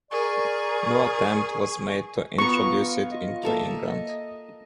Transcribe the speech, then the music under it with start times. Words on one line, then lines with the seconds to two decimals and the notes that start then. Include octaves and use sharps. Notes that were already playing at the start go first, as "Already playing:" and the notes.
No attempt was made to introduce it into England.
0.11 G#4 A#4 D5 C#6
2.38 B3 F4 A#4 C#6
3.11 D#5
3.43 A#3 A4 E5